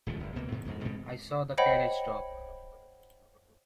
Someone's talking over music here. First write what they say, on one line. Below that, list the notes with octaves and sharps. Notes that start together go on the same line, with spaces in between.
I saw the carriage stop.
D#1 C#2 A2 F3
F#1 E2
C#2 B2 A#3
G#2 C3 D#3
F2 G#2 B2
G#2 B2 G#3 C4
C5 C#5 D#5 F#5 G5 B5